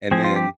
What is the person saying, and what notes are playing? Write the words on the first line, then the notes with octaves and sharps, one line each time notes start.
and then,
F3 C4 G#4
F4
G4